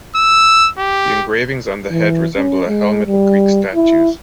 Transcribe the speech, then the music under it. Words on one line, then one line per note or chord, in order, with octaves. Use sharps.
The engravings on the head resemble a helmet of Greek statues.
E6
G4
E3
C#4
G#3
G3
E4